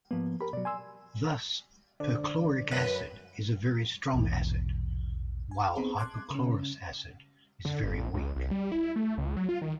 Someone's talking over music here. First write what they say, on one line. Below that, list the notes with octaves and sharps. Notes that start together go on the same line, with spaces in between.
Thus perchloric acid is a very strong acid while hypochlorous acid is very weak.
G#2 F3 A#3 B3
G4 A#4 B5
B2 F#3 D5
G#5 C6 E6
D3 D4 C5 D5
F#2 B4
A#1 E2 G#2 B2 E3
G#5
B3 C4 D#4 G#4
A5 C6 D6 F#6 G#6
C#3 C#4
D3
G1
A#1
C#2
C2
G3
E4
A3
C#2
F#3
F4
D#3